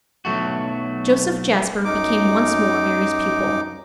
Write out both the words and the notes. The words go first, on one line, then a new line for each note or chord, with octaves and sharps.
Joseph Jasper became once more Mary's pupil.
B1 F#3 A3 F#4
F#2 D#4 D6